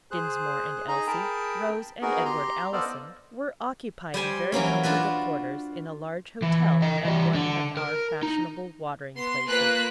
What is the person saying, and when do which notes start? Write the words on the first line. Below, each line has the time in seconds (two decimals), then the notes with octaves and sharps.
Dinsmore and Elsie, Rose and Edward Allison--were occupying very comfortable quarters in a large hotel at one of our fashionable watering-places.
0.11 G#4 C5 F#6
0.88 D#4 G#4 D#5 A#5
1.07 G#4 A#4 G5 A5 B5
2.02 B3 D#4 F#4 G#4 A#4
2.25 G4 A#5 C6
2.73 B3 A4 C5 D5 D#5 F5
4.14 G3 C5 G#5
4.52 E3 F#3 A#3 C#4
4.83 D4 F4 F#4 B4
6.42 E3
6.82 D#5 G5
7.05 E3 G3
7.35 D3
7.77 A#4
8.23 D#4
9.15 B3 C6
9.46 A#3 F4 B4 F#6